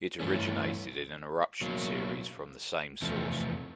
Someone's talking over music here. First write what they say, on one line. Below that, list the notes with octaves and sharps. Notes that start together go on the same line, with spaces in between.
It originated in an eruption series from the same source.
G2 E3 A3 C#4
B2 F#3 A#3
E2 C3 F3 A3